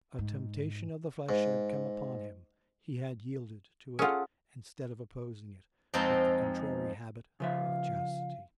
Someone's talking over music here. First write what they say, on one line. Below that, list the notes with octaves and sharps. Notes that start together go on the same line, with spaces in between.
A temptation of the flesh had come upon him; he had yielded to it instead of opposing it with the contrary habit of chastity.
G#2
G#2
C#4 F4 G#4 A4 F#5
F2 F3 G#3 C4 D#4
C#3 F3 E5 F5